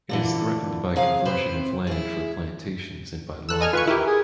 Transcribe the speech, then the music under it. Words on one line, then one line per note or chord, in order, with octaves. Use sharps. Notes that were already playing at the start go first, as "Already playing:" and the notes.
It is threatened by conversion of land for plantations and by logging.
A#2 D3 E3
C3 G#4 F5
C3 C4 B4 C5
E4 G#4
A4 E6 F#6
D#5 G#5 F6
F4 B4 G#5 C#6
E4 G4 A#4
G#4